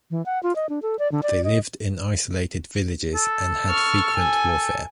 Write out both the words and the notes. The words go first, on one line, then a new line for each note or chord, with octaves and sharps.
They lived in isolated villages and had frequent warfare.
E3
F#5
F4
D#5
D4
A4
D5
D3
D5
D#5
A4
C#6 F6
G#5